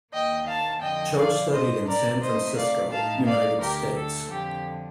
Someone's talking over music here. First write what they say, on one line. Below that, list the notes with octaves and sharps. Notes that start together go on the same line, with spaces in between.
Cho studied in San Francisco, United States.
D#2 D#3 A#3 D#5 G5
F5 A5
F2 D3 F3 D#5 G5
D5 F5
A2 A3 D4 C5 D#5
A#4 D5
C3 D#3 A3 C5 D#5
D5 F5
A2 A3 D#4 F5 A5
D5 F5
D2 D3 A3 G4 A#4
A4
F2 D3 F3 G4